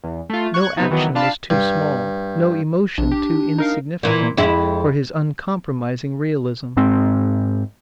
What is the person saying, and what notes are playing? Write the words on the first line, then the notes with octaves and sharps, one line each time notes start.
No action was too small, no emotion too insignificant, for his uncompromising realism.
E2
A3 F4
C#6 F#6 G#6
C3 B3 D#4
D#3 E3 F#3 B3
D4 F4 F5 A5 B5
G2
A#1 D4
G4
D#4 A#4 F5
A#2 E3
F2 G#3 E4
G#2 G#3 C4